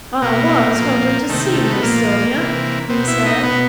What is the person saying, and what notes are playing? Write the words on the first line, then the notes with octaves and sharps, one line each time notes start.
"I was hoping to see Miss Sylvia," he said.
B2 A#3
A#2 F3
C3 D#3 A3
A3
B3
A#2 F3 A#3
C3 E3
B2 C4
E4
D#4
B2 B3